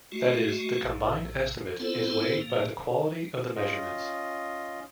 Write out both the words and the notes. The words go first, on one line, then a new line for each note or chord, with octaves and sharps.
That is, the combined estimate is weighted by the quality of the measurements.
G#3 A3 F#4
A#1 A2
B3 C4 E4 F4 A4 C5
A2 A#3
C#4 F4 D#5